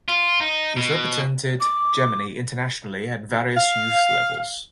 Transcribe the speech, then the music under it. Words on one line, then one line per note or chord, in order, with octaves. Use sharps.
He has represented Germany internationally at various youth levels.
F4
D#4
B2
D6
F5